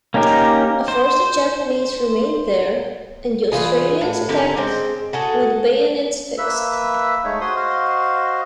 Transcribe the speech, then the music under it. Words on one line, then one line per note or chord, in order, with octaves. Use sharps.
A force of Japanese remained there, and the Australians attacked with bayonets fixed.
A#3 C#4 D#4 G4 A#4
C5
E3 G3 F4 G#4
A2
D3 C4 G4 A#4
G#3 C4 G5
F#4 G#4 A4
A#3 B4 E5 E6
G#3 A3 D#4 C#5
F#4 C5 C6 D#6
F#4 C5 D#5 F5